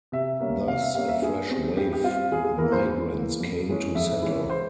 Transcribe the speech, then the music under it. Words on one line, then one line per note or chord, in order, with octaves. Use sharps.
Thus a fresh wave migrants came to settle.
C3 E5
G3 A#3 C#4
C3 F5
E5
G3 A#3 C#4 F5
E5
G2 G#4
G3 C4
G2 G4
G4
G3 C4 F4
E2 G#4
G#4
E3 A#3 A#4
C5
E2
E3
A#3
F2
E3 G#3 C#4
F2 E5
E3 G#3 C#4
C5